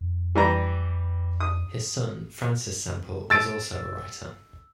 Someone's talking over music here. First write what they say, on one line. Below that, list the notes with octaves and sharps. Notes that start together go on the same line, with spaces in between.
His son, Francis Sempill, was also a writer.
F2
E3 G3 A#5
D#6
E6 A6 D7